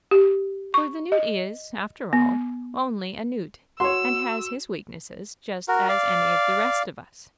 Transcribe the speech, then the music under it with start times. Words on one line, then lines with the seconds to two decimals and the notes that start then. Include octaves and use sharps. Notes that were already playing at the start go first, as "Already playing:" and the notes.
For the newt is, after all, only a newt, and has his weaknesses just as any of the rest of us.
0.11 G4
0.74 C#6
1.12 D#5
2.13 B3
3.80 F#4 C#5 C6 E6
5.68 F#4 A#4
5.89 D5 F5